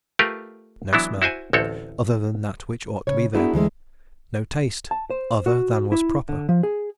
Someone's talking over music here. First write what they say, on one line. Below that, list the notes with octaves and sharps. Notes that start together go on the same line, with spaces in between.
No smell--other than that which ought to be there; no taste--other than was proper.
A3 F4 G4 A#4 B4
E3 F#3 B3 D4 E4
E4 F#4 C5 G#5
A1 D2 C4 A4 C#5
C#3 C#5
B3 D4 E4 F#4 G#4 A#4
D2 E3 G#3
A5
C5
F#4
E4
D3
F3
G#4